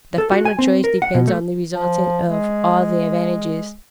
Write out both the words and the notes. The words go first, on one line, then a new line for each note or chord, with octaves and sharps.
The final choice depends on the resultant of all the advantages.
A4
F#4
G#5
C4
A#4
F#5
B2
A3
F3
G#3